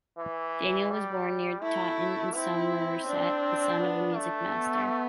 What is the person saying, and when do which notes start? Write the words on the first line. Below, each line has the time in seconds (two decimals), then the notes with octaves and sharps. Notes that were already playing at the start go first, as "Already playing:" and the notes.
Daniel was born near Taunton in Somerset, the son of a music-master.
0.18 E3
0.91 G3
1.63 A3 E4
2.36 C4 E4
3.08 D4
3.80 B3
4.16 A3
4.52 B3